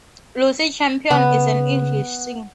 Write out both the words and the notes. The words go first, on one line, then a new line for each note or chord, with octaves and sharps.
Lucy Champion is an English singer.
C#3 B3